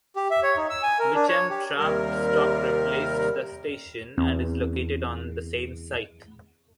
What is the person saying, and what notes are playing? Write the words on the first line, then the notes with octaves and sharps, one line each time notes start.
Mitcham tram stop replaced the station, and is located on the same site.
G4
E5
C#5
D#4
E6
G#5
A#4
D4
C#5
G4
D#2 C3 G3 A#4
E2 C4